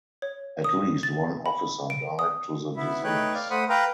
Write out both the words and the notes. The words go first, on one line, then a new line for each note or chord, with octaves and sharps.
At least one officer died to the disease.
C#5
D#6
A6
B5
D7
D#6
B3 E4 E5
A3 D#4 B4 C#5 G5 F#6
D5 F5
A3 C5 F#5 B5 D#6
B4 F5 G5 A#5